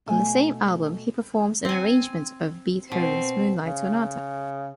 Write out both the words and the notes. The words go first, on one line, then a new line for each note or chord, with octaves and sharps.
On the same album, he performs an arrangement of Beethoven's Moonlight Sonata.
B2 A3 G#5
C4 G#5
B2 C4
C#3